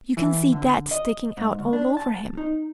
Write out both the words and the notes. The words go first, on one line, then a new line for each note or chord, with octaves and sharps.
You can see THAT sticking out all over him.
E3
D3
D#5
G#2
D2
D4
A5
D#4